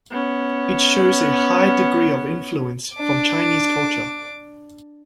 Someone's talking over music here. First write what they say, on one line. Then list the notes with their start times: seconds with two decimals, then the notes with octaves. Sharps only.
It shows a high degree of influence from Chinese culture.
0.10 B3 C#4
2.95 D4 D6